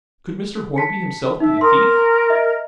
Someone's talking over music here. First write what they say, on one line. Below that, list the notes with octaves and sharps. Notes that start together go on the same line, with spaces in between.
Could Mr. Hornby himself be the thief?
A5 B6 C#7
D#4 E5
A#4 C6 D#6
D#5 E5